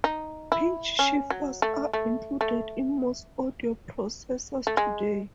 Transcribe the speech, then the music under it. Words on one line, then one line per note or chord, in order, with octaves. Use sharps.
Pitch shifters are included in most audio processors today.
D#4
E4
C#4
F#3
A3
A3
A3
A3
G#3